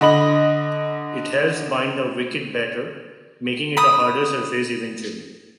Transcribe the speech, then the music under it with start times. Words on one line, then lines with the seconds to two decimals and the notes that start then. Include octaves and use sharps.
It helps bind the wicket better, making it a harder surface eventually.
0.01 D3 D#5 B5 F#7
3.77 B5 D#6